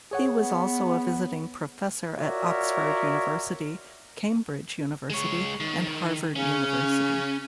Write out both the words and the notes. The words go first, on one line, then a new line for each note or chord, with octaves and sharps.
He was also a visiting professor at Oxford University, Cambridge University and Harvard University.
G#4 C#5 F#5
B3
F4 F#4 A#4 C#5 D5 E5
G#3 C#5
D#3
C#3 C#4